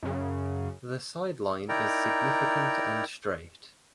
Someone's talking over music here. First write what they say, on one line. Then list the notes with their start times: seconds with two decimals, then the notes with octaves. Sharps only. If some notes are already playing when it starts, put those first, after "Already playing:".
The sideline is significant and straight.
0.03 F#2 C#3
1.69 D#4 E4 A#4 D5 G5 A#5